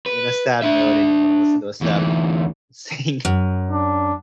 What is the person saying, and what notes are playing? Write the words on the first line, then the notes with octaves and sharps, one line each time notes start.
in a sad mood and you wanna listen to a sad woman sing
B4
D4 E5
D2 E3
F#2
D4